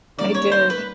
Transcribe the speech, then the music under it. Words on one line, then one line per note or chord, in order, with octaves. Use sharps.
I did.
D#3 G3 A#3 C#4 D5
C#5
C5
B4